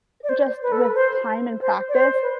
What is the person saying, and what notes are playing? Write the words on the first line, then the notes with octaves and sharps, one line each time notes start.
just, with time and practice
D5
C5
B4
A4
B4
C5
C5
D5
C5
B4